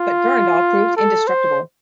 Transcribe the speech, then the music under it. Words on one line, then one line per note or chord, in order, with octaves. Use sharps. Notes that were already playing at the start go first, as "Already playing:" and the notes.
But Durendal proved indestructible.
Already playing: F4
A4
C5